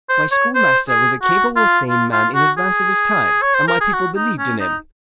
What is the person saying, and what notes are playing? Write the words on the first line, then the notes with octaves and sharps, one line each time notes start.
My schoolmaster was a capable sane man in advance of his times and my people believed in him.
C5
C#5
C5
G#4
F#4
F4
F4
F4
F#4
G#4
C#5
C5
A#4
G#4
F#4
D#4
C#4
D#4